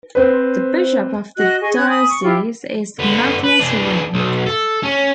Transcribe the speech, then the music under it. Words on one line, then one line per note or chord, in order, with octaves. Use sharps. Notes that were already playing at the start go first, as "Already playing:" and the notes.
The bishop of the diocese is Matthias Ring.
C4 B4 C5
F#4 D#5 F#6
G#4 D#5 C#6
C#4 F#6 G#6
G#5 B5 D#6
C#6
E4 F4 G4
D3 B3
B4
E3 D4
B1
A4
C#4